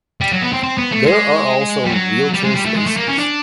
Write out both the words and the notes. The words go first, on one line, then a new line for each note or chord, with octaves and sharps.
There are also wheelchair spaces.
G3
F#3
B3
C4
C4
B3
A3
G#3
G3
F#3
G3
G#3
G3
A3
G#3
A3
A#3
C#4
D4